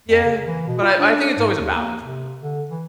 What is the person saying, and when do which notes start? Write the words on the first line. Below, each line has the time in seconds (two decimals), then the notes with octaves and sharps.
Yeah. But I I think it's always a balance, really.
0.09 F2
0.24 C#3
0.47 E3
0.67 B2
0.82 F4
0.99 D4
1.37 G#2
1.60 D#2
1.76 A#3
2.03 C3
2.42 D3
2.69 E3